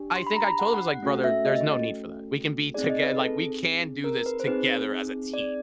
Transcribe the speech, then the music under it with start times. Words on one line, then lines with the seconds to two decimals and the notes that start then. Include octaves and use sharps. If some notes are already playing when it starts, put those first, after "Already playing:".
I think I told him, I was like, "Brother, there's no need for that. We can be toge like, we can do this together as a team.
Already playing: D4 G4
0.16 C6
0.27 B5
0.36 A#5
0.47 B5
0.59 F#5
0.74 F#5
0.88 F#5
1.03 A3 C#4 F#4 A4
1.24 E5
1.45 D#5
2.74 C4 D#4 G#4 D5
2.89 D#5
3.03 B4
3.18 A4
4.04 A#4
4.26 B4
4.40 C5
4.47 C4 D#4 G#4 B4
5.34 D5